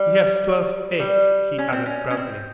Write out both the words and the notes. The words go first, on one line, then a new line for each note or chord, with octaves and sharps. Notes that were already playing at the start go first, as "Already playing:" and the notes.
"She has twelve eggs," he added proudly.
Already playing: G3
G3
C#4
C4
C#4
C#4
C4